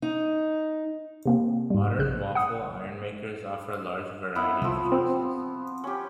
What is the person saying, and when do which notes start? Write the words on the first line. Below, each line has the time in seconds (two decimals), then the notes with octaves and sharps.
Modern waffle iron makers offer a large variety of choices.
0.02 D#4
1.26 C3 A#3 C4
1.70 G#2 G3
1.98 A#1 C#3 F#6
2.35 F#5 D#6
4.35 B3 E4
4.62 C2 F3 E6
4.92 C4
5.84 C#4 G4